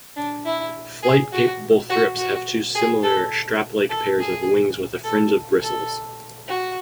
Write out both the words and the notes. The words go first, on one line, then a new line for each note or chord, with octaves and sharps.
Flight-capable thrips have two similar, strap-like pairs of wings with a fringe of bristles.
D4
E4
G#4
F#4
F#4
F#4
G#4
A4
A4
G#4
A4
A4
F#4